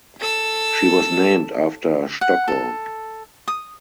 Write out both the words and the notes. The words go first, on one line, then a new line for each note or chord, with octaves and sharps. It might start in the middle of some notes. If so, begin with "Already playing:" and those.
She was named after Stockholm.
A4 E6
F#5
A4
D#6